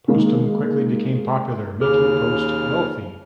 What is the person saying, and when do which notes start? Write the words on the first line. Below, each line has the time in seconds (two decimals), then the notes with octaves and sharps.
Postum quickly became popular, making Post wealthy.
0.08 D#3 G#3 A#3
1.81 D#2 C#3 G#4 F6